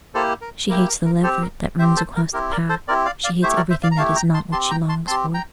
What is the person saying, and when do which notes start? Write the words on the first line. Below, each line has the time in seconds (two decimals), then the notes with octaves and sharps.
She hates the leveret that runs across the path; she hates everything that is not what she longs for.
0.14 A#3 E4 G4 A4 C5
0.41 A#4
0.69 A#3 E4 G4 A#4
0.88 A#4
1.06 A#4
1.23 C4 G4 A4 C5
1.42 A#4
1.78 C4 G4 C5 E5
1.97 A4 C5
2.16 A#4
2.33 C4 E4 G4 A#4
2.52 A#4 D5
2.69 A4 C5
2.88 C4 E4 G4 A#4 D5
3.06 D5 F5
3.24 D5 F5
3.43 A3 E4 G4 C5 E5
3.57 A#4 D5
3.70 C5 E5
3.83 D5 F5
3.91 A#5
3.97 A3 E4 G4 F5 A5
4.16 G5 A#5
4.34 A5 C6
4.52 C4 G4 A5 C6
4.70 G5 A#5
4.89 A5 C6
5.07 C4 A5 C6
5.11 G4
5.34 G5 A#5